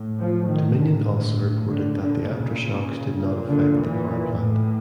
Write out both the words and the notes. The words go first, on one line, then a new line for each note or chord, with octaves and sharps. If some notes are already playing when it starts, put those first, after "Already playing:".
Dominion also reported that the aftershocks did not affect the power plant.
Already playing: A2
F3
D#3
A2 D3
D3
A#2 D3
C#3
C#3
A#2
D3
E3
A2